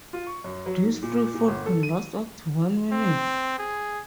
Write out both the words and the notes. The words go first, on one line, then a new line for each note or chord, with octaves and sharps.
This freefall can last up to one minute.
F4
C#6
F#2
F#3
G#2
A#2
A#2
G1
A4
D#7
C4
G#4